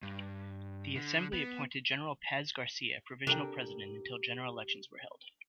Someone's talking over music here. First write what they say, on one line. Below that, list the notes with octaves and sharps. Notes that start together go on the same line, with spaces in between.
The Assembly appointed General Paz Garcia provisional president until general elections were held.
G2
D3
B3
C3 D4 G4 A4 A#4 G5